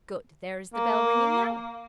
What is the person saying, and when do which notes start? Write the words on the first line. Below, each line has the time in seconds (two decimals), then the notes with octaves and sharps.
Good! there is the bell ringing now.
0.74 A#3